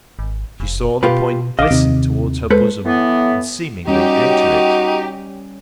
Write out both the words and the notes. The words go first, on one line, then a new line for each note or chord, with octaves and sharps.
She saw the point glisten towards her bosom, and seemingly enter it.
G#1
F1
B2 F4 G4 B4
A#1 D#5 F5 D6
D#2 C3 D#3
G#3 A4 B4 C5
A2 E3 B3
G3 C#4 D#4 F#4 G4